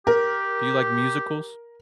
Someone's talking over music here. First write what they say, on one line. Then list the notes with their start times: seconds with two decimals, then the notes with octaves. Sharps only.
Do you like musicals?
0.07 G4 A#4